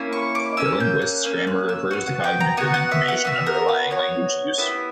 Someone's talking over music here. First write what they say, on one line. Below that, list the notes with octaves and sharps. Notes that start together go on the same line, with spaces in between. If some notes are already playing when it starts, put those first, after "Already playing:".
For linguists, grammar refers to cognitive information underlying language use.
Already playing: A#3 C#4 E4
C#6
D6
A#3 C#4 E6
G6
F#6
A#3 C#4 E6
F#6
E6
B3 F#4 F#5
F#5
G5
A#5
B3 F#4 F#5
F#5
E5
F#5
B3 F#4 E5
A#4
B4
B3 F#4 C#5
B3 E4 G4 E5